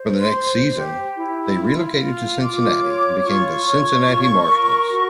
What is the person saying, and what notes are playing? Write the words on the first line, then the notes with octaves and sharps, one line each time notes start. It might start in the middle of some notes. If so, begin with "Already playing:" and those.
For the next season they relocated to Cincinnati and became the Cincinnati Marshals.
Already playing: C5
C6
C5
G4
E4
F4
F4
F4 D6
C#5
F4 C#6
C#5
F4
A#4
F#4